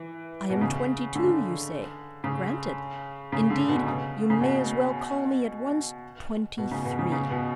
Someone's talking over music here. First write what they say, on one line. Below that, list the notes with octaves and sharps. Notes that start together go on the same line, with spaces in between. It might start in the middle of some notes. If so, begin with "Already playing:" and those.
I am twenty-two, you say, granted: indeed, you may as well call me, at once, twenty-three.
Already playing: E3
B2
C#3
D3
C#3
C#3
D3
B2
C#3
C#3
B2
B2
C#3
B2
C#3
C#3
B2